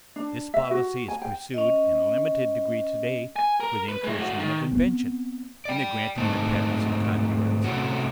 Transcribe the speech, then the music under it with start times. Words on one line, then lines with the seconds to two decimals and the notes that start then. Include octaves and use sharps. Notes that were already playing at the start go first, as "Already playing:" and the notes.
This policy is pursued in a limited degree to-day for the encouragement of invention, in the granting of patents and copyrights.
0.16 D4
0.54 E5
0.71 F#4
1.08 G#5
1.22 G5
1.54 C#4 D#5
3.36 G#5
3.60 A#4
3.89 B4
4.04 G#3 E4
4.19 A2 F#4
4.39 D#3
4.72 B3 C4
5.65 D5 G5
6.17 G#2 E3 A3 C4 D#4 A5
7.64 C3 E3 F#3 A3 C#4 F#4